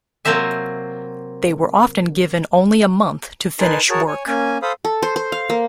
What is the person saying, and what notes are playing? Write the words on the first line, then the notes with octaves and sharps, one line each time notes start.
They were often given only a month to finish work.
C3 F#3 A#3 C4 E5 G#5
D#4 A#4 B4 G#5 A5 C6
F#4 G#4 A#4 C#5 A5
C#5 G#5
A#3 C#4 G#5
A4 C5 F5 B5 D#6
A4
C5
C5
F5
A#3